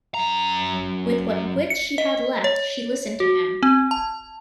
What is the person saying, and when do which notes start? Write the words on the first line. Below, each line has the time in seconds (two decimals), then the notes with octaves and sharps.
With what wits she had left she listened to him.
0.14 F#2 A#5
1.70 C#7
1.98 D#5
2.44 C#5
3.20 F#4
3.63 C4
3.91 A5